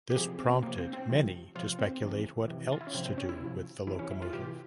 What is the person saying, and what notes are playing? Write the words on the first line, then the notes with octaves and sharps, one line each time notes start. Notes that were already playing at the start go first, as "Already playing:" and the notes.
This prompted many to speculate what else to do with the locomotive.
G4
C3 F3 G#4
C4
C3 F3 A#3
C4
C4
C3 F3
C3 F3 F4
C4
C3 E3
C3 E3
F4
E4
C#4
C3 F3 C4
C4
C#4
E4
C3
F3
C3 E3 E4
C#4
E4
F4
C3 E3 G4